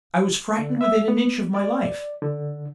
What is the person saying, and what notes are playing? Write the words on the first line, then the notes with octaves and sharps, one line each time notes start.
'I was frightened within an inch of my life.
D3
E5
B3
D5
D3